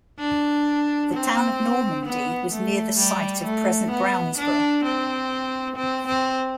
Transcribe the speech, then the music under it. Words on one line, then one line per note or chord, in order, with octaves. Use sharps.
The town of Normandy was near the site of present Brownsboro.
D4
C4
B3
A3
G3
A3
B3
D4
C4
C4
C4